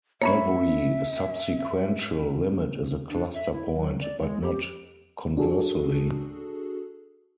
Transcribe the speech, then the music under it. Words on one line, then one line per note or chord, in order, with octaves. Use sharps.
Every subsequential limit is a cluster point, but not conversely.
A#3 C#4 C#5 E5 A#5 B5
D4
E5
E4
F#3
D5
G#3
G4
D4 F#4 G#4 A4